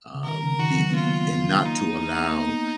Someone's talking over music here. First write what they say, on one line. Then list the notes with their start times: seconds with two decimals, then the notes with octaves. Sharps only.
um, be the and not to allow
0.14 C#3
0.24 D#3 A#4
0.42 C#3
0.59 D#3 F#4
0.78 F#3
0.90 B3
0.94 A#3 F4
1.65 A#3 D#4
2.31 A#3
2.37 B3